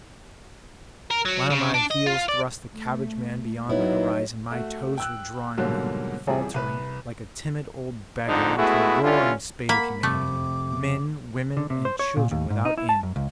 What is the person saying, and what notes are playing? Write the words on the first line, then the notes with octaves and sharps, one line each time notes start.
While my heels thrust the cabbage-man beyond the horizon, my toes were drawing me, faltering, like a timid old beggar, into a roaring spate of humanity--men, women, and children without end.
A#4
F#3
C#3
D4
D#5
F4
D5
A3
F#3 B3 D#4 E4 C#5
A3 F#4
G5 E6 F#6
G#2 B2 D3 F#3 G3 A#3
A1 F2 C3 G3 G#4
C2 B4
A#1 F2 G#2 D3 D#4
G#3 A3 B3 E4 F#4 G#4
G2 D3 G3 C#4 E4 F4
A#3 F#5 B5
F2 C3 A3 D6
D3
C3
C5
C#5
A#2
D#2
G#2
D#4
E4
A5
F#2
C#2